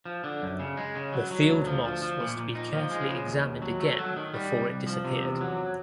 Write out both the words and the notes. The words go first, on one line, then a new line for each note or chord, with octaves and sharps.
The field moss was to be carefully examined again before it disappeared.
F3
D3
F#2
C#3
G#3
C#3
F#3
F#3
D2
F3
F3
F3
A#2
A#2
D#4
F3
G#3
C#3
D#2
D#2
F#3
A3
F#3
D#3
G3
C2
C2
F3
C3
E2
F#3